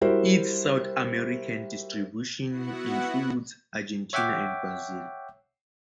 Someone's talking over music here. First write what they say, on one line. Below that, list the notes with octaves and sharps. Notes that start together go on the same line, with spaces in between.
Its South American distribution includes Argentina and Brazil.
G3 E4 F#4 A#4 C5
B3 E4 F#4 F#5
C#5 E5 F#5 G5 D6